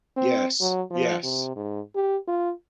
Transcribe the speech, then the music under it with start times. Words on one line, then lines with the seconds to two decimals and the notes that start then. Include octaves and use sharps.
Yes, yes,
0.17 C4
0.61 F#3
0.91 F3
1.23 C3
1.56 G#2
1.95 G4
2.28 F4